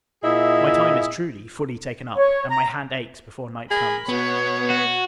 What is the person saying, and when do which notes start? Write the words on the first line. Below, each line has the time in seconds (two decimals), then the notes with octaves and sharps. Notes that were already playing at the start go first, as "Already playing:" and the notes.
My time is, truly, fully taken up, and my hand aches before night comes.
0.24 A#2 E4 G#4 D#5 E5
2.16 C#5
2.48 A#5
3.71 G#4 A#4 B5
4.09 B2 B3 C#5
4.70 F#4